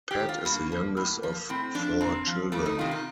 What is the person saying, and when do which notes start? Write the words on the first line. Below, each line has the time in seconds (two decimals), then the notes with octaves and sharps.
Pat is the youngest of four children.
0.11 G4
0.20 D#3
0.29 F4
0.45 G2 A#3
0.72 F3
0.97 A2
1.23 F3
1.49 A2 C4
1.75 F3 D4
2.00 A#2 C4
2.27 F3
2.52 F2 A3
2.66 D#4
2.78 C3 D#3 F4
2.91 D#4